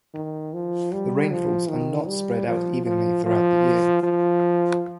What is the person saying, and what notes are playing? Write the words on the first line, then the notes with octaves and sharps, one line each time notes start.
The rainfalls are not spread out evenly throughout the year.
D#3
F3
G3
F3
D#3
G3
F3
F3
F3
F3